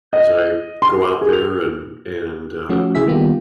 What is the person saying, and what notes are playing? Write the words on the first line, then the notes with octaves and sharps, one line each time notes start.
as I go out there and and, uh
D#5
C6
G#4
F7
F3 A3 C#4 F#4
C#3 E4 G#4 E5 B6
D#3 G3 A#3 B3 F4 G4